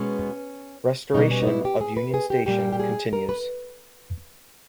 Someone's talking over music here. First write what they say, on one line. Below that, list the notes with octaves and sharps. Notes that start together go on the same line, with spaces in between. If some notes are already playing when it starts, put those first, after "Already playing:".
Restoration of Union Station continues.
Already playing: B2 G#3 B3 C#4
B2 G3 B3 D#4
C#4
D#4
E4
G4
G#4
B4
G#4
G4
A#2 G3 A#3 G4
G4
G#4
A#4
B4